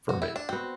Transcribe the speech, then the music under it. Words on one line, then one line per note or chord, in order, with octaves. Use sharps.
for me.
F#4
E4
D4
B3 C4 F#4 C5